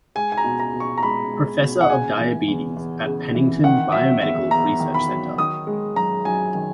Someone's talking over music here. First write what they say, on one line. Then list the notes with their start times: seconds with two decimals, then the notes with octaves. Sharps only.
Professor of Diabetes at Pennington Biomedical Research Center.
0.15 G#3 G#5
0.32 G#5
0.37 A#5
0.44 B2
0.59 A#5
0.73 B2
0.80 C#6
0.98 A#5
1.02 G#3 B5
1.32 G#3
1.61 B2
1.81 F#5
1.90 C#3 G#5
2.19 E3
2.48 E2
2.76 E2
3.06 C#3
3.35 E3
3.63 D#3 F#5
3.92 F#3 E5
4.22 E2 E5
4.51 E2 A#5
4.80 D#3
4.94 B5
5.09 F#3
5.38 D#3 D#6
5.67 G#3
5.96 F#2 A#5
6.25 F#2 G#5
6.55 D#3